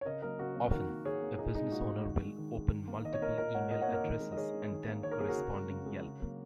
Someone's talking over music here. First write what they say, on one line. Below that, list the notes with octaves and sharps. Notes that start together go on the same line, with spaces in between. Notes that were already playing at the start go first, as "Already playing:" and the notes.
Often, a business owner will open multiple email addresses and then corresponding Yelp!
C#5
C#3 A#4 D#5
F#3 A#3 A#4 D#5
C#3 F#4 A#4
F#3 A#3
D#3 F#4 A#4
A#3
D#3 G#4 C#5
A#3
A#2 D#4 G#4
G#3 D#4
A#2 F#4
G#3
D#3
G#3
D#3
G#3
D#3
A#3
D#3 D#5
C#5
A#3 A#4 D#5
A#2 A#4 D#5
A#3 C#5 F#5
A#2 A#4 D#5
C#5 F#5
A#3
A#4 D#5
D#3
G#3
D#5
D#3 G#4 C#5
G#3
D#3
A#3
D#3 C#5
A#4
A#3 G#4
F#4 A#4
C#3
G#3
C#3
G#3
C#3
F#3 A#3